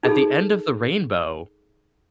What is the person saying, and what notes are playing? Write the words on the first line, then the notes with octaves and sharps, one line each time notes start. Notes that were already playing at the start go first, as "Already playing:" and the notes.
at the end of the rainbow,
D#4 G#4 A4